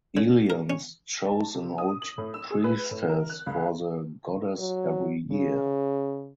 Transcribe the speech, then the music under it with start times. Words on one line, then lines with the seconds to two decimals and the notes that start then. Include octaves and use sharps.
Eleans chose an old priestess for the goddess every year.
0.17 C#3
0.50 A#4
0.70 C#4
1.27 A5
1.55 C3
1.78 D#6
2.02 F#7
2.18 A2
2.34 E6
2.50 G#4
2.64 B4
2.91 A2
3.09 A#4
3.30 F#6
3.46 C#2
4.59 F#3
5.31 C#3